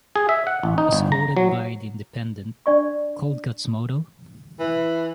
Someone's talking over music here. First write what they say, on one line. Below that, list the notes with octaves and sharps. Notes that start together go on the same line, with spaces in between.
As quoted by The Independent: Coldcut's motto?
G#4
E5
F#5
A1
D#4
G1
A#5
F#3
D4 D5 C#6
E3